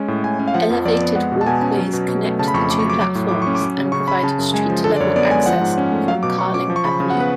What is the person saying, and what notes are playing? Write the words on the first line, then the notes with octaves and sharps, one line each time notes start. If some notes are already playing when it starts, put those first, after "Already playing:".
Elevated walkways connect the two platforms and provide street level access from Carling Avenue.
Already playing: G#3 C#4
A2
A2 G#5
C#4
F5
F3 F#5
F2
F2 D5
B3
G#3 F#5
B2
A5
B2 G#5
C#4
F#3
B2
B2
A3
C#3 A5
B5
F2 C#6
A3 D6
C#6
F#3 D6
F#3 D6
A2
A2 D6
C#4 C#6
D6
F#3
C#3
C#3 C#6
C#4 B5
C#3 A5
F#2
G#3 G#5
F3
D3 A4
D5
F#2 C#5
B3 D5
G#3 G#5
F3 F#5
G#2
C#4
A3
F#3 F5
B2 D6
B2 C#6
C#4 D6
F3
C#6
C#3 B5
C#3
F#5
B3
B4